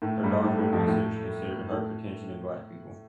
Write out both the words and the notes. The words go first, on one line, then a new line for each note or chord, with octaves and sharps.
Her doctoral research considered hypertension in Black people.
A2 A3
G2 G3
A2 A3
A2 A3
F2 F3
A2 A3
A2 A3